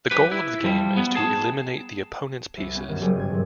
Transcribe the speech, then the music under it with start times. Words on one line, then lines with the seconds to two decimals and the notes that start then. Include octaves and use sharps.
The goal of the game is to eliminate the opponent's pieces.
0.11 G4 B4
0.32 E4
0.64 F3 G3
0.97 B3
1.15 G#4 A5
2.57 C2
2.75 B3 C#4
2.89 F#2 D#3
3.01 F#1 F#3 G4 G#4 D#7
3.15 G2 G#6
3.30 G#2 C3